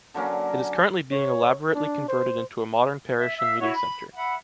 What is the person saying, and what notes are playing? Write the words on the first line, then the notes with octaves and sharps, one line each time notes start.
It is currently being elaborately converted into a modern parish and meeting center.
D3 F#3 A#3 C#4
C#5
D4
C5
E5
E5 F5 E6
E4 F#4 C#5 C#6
B5
E5 F#5 B5